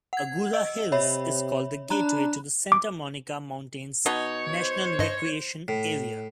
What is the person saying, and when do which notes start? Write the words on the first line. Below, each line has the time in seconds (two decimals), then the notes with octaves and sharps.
Agoura Hills is called the "Gateway to the Santa Monica Mountains National Recreation Area".
0.13 F#5 G#6
0.53 D#5 E6
0.92 C3 C#5 E5 B5
1.90 D4 A#5 B5 F#6
2.72 D6
4.06 B2 D#4 C#5
4.56 C5
4.99 G2 D#5
5.68 A2